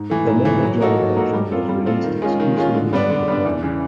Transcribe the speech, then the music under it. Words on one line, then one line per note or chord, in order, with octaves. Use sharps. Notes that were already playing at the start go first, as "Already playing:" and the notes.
The Mega Drive version was released exclusively in Japan.
Already playing: G#2
E3 A3
G#2
E3 A3
F#3
A#3 D#4 F#4 A4
F#3
A#3 D#4 F#4 A4
G3
C4 F4 A4
G3
C4 F4 A4
D#3
G#3 C#4 F4
D#3
G#3 C#4 F4
D3
G3 B3 D4
D3
G3 B3 D4
E2
C#3 E3